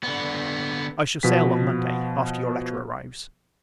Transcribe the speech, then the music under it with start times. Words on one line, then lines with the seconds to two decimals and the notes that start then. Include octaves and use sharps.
I shall sail, on Monday, after your letter arrives.
0.03 D3 B3
1.23 B2 F3 B3 B6